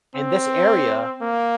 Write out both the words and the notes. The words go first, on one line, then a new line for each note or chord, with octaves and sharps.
in this area
C4
A#3